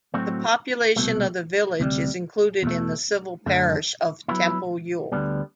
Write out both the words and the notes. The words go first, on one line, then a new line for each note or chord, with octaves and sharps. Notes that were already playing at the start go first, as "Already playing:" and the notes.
The population of the village is included in the civil parish of Temple Ewell.
A2 F#3 A3 C4 F#4
C2 B2 A3
D2 C3 G3
E2 B2 A3
F#2 D3 A3
F#3 B3 E4
D2 D3 G3 B3